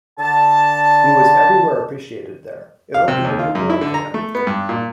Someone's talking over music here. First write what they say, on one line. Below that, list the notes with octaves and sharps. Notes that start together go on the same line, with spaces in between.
He was everywhere appreciated there; it opened a new world to him'.
D3 A5
F5
C3
D#2
F4
F#2
E4
D3
A#5
A3
B3
G2
A#2